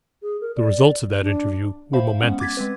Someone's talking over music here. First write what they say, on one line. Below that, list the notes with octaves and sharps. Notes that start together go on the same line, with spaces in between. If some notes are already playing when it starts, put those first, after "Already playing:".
The results of that interview were momentous.
G#4
A#4
D5
D4
C5 E5 F5 B5
G#3 B3 C#4 F#5
D6 G#6 A6 B6
G#3 C4 B4